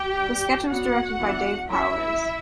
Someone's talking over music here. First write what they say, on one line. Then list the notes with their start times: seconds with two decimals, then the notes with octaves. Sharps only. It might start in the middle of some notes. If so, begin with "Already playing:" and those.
The sketch was directed by Dave Powers.
Already playing: G4 G5
0.18 G3 D4
0.69 F#3 B3 D4 F#4 F#5
1.19 E3 B3 D4
1.70 F#3 C#4 E4 E5